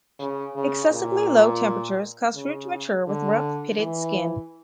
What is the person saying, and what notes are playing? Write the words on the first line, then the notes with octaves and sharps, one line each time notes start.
Excessively low temperatures cause fruit to mature with rough, pitted skin.
C#3
C#3
A#2
C#3
D3
E3